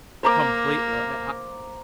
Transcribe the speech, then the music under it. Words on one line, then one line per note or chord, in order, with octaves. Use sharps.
complete li l I
A#3 C5 A#5 D6